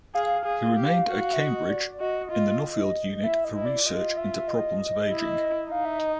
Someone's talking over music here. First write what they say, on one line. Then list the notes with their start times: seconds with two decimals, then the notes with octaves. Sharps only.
He remained at Cambridge in the Nuffield Unit for Research into Problems of Ageing.
0.15 G#4 F5
0.45 G#4
0.77 G4
1.08 F#4
1.33 E5
1.39 D#5
1.69 D5
2.00 F#4 D#5
2.32 F4
3.24 E4 E5
3.45 D#5
3.55 E4
3.66 D5
3.86 F4 D#5
4.17 E5
4.48 D#5
5.10 E4
5.72 D#4 F5
5.85 E5
5.99 D#5